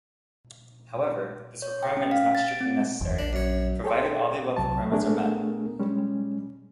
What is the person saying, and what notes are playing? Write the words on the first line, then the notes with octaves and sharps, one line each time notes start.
However, this requirement is not strictly necessary, provided that the above requirements are met.
C#5
G5
C#4
F5
A6
D7
C4
F#1 E2
A#1 D4
F#2 C#5
G#4 A4 C#5 G5 C6
C2 F#3 A5
A3 B3 D4 G#4 A#4
G3 G#3 C#4